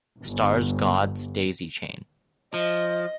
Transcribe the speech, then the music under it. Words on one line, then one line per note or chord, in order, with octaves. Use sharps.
Stars God's daisy chain.
G1
F3 D#5